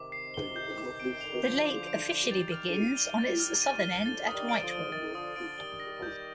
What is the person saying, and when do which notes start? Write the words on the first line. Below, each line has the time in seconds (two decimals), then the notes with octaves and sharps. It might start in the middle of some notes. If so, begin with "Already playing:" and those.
The lake officially begins on its southern end at Whitehall.
Already playing: C3 D#3 D6
0.12 C7
0.34 G7
0.56 G6
0.78 D6
1.00 D7
1.14 C3
1.21 D3 F7
1.34 D#3
1.43 D3 F3 G6
1.65 D6
1.87 D7
2.09 F7
2.31 D#3 G3 A6
2.52 F6
2.74 D#7
2.97 G7
3.18 A6
3.40 F6
3.62 D#7
3.84 G7
4.05 D3 F3 A6
4.27 D#6
4.34 D#3 G3
4.49 D7
4.63 D3 F3
4.71 G7
4.92 C3 D#3 A6
5.15 D3 F3 D#6
5.36 D3 F3 D7
5.58 D#3 G3 G7
5.80 A#6
6.02 G6